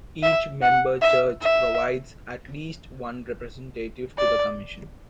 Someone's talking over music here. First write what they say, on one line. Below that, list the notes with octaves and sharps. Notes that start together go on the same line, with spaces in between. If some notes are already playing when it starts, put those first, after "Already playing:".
Each member church provides at least one representative to the Commission.
E5
F#5
E5
E5
D5